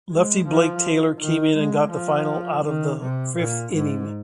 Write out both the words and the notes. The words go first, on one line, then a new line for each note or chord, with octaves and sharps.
Lefty Blake Taylor came in and got the final out of the fifth inning.
G#3
F3
D#3
G#3
F3
D#3
C3
A#2
G#2